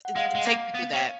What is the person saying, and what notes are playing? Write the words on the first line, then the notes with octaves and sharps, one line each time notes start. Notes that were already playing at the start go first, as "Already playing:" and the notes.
Th th take me through that.
F#5
G#3 F5
G#3
A#3
B3
C#4